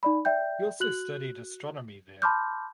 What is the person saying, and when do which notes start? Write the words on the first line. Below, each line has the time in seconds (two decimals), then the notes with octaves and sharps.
He also studied astronomy there.
0.03 D#4 D5 B5
0.25 D5 E5 G5 G6
0.80 F#4 F#6 F#7
2.22 A5 B5 C6 D6 F6 G6